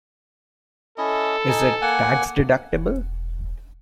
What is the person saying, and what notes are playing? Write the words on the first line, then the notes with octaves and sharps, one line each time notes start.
Is it tax-deductible?
C#4 E4 A4 D#5
D#4 D#5 G#5
A#3 F#5 G#5
E1